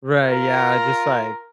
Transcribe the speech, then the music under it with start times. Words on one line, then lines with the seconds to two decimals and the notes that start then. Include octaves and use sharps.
Right, yeah, just like
0.21 F4 A#4